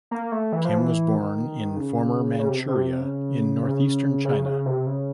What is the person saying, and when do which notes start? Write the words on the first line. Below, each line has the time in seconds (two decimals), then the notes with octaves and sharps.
Kim was born in former Manchuria in northeastern China.
0.11 A#3
0.32 A3
0.52 E3
0.65 F3
0.78 E3
1.15 D#3
1.77 C#3
2.39 C#3
2.49 C3
2.68 C3
3.01 C#3
3.63 C#3
4.25 C#3
4.45 C#3
4.66 C3
4.87 C#3